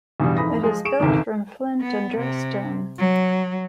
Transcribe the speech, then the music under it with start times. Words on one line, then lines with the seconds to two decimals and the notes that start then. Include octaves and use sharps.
It is built from flint and dressed stone.
0.20 E2 G2 B2 E3 G3
0.37 F2 G#2 E3 B5 D#6 A#6
0.61 F3 G#3 F4
0.85 G#4 C#6 D7 E7
1.00 G1 E2 G#2 C3 D#3
1.81 B3
2.17 C3
2.98 F#3